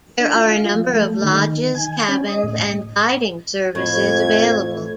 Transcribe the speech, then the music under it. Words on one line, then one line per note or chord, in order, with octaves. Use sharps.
There are a number of lodges, cabins, and guiding services available.
D4
F4
F3
A3
D#3
G#5
C#4
D#5
A2
F2 A2 G#6